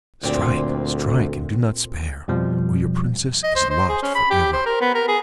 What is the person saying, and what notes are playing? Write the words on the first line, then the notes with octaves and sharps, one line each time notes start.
"Strike! strike! and do not spare, or your Princess is lost for ever!"
D2 A#2 C4
F2 B2 F3 G3
D#5
C5
C5
G#4
C#4
B5
G4
C5
A#4
B3
A#4
G#4